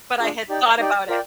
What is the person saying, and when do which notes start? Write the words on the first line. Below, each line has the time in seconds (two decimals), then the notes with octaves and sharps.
But I had thought about it.
0.19 D4 F4 G#4
0.49 D#4 G4 D5 G5
0.79 D#4 G4 D5 G5
1.08 F4 A#4 D5 G5